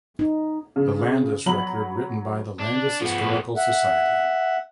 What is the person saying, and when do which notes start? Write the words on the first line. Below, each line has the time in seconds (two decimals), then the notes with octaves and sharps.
The Landis Record written by the Landis Historical Society.
0.19 D#4
0.76 C#3
1.46 F#3 A#5 B5 F#7
2.59 D4
3.01 F3 B3
3.56 E5 F#5